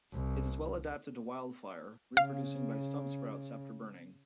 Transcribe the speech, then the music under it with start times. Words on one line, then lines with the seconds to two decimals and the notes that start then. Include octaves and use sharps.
It is well adapted to wildfire, reproducing by stump sprouts after burning.
0.13 C2
2.17 C#3 F5